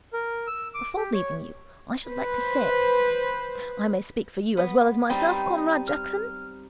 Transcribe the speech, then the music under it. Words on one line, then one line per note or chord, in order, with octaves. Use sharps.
Before leaving you, I should like to say--I may speak for you as well as myself, Comrade Jackson--?'
A#4
E6
D6
G4
C#5
B4 C5
B3
G3 C4 D#4 G5 B5
F6